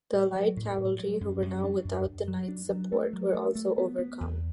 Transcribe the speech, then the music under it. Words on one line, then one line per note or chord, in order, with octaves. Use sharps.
The light cavalry, who were now without the knights' support, were also overcome.
A2
F#3
A2
A2
F#3
F#2
F#2
D4
F#2
F#2
F#3
D4
F#3
A3
F#3
A3
A3
B3
B3
E2